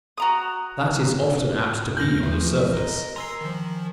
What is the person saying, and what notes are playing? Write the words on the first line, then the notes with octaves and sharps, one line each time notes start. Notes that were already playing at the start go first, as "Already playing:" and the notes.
That is often apt to be on the surface.
F#4 A#5 D#6
F6 G6 A#6 F#7
E3 F3 A3
A#4 D#5
A#4 G#5 A#5 C6 E6 C7
D#3 F3